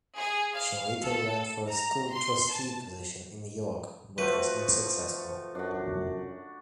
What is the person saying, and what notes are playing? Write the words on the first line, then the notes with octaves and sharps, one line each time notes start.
She later ran for a school trustee position in York, but was unsuccessful.
G#4
F5
A4
A#5
C6
A5
F3 A3 F#4 B4
F#2 D4 F#4